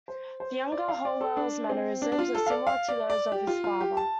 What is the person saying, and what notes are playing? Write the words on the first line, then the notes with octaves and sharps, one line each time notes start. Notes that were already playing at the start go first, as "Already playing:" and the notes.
The younger Howell's mannerisms are similar to those of his father.
C5
C5
D5
F5
D5
A4
D4
C4
D4
D4
F4
A4
F5
D5
F5
D5
D5
G4
F4
F4
G4
A5